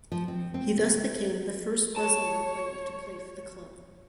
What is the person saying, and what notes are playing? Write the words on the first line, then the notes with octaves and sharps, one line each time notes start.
He thus became the first Bosnian player to play for the club.
F3
C4
C4
C#3
C#5 A5